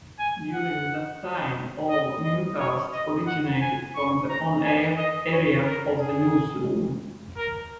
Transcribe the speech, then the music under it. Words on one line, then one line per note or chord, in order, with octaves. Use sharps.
During that time, all newscasts originated from the on-air area of the newsroom.
G#5
F#5
D#5
D#5
C#5
D#5
F#5
G#5
C#6
A#5
G#5
D#5
C#5
A#4
G#4
A#4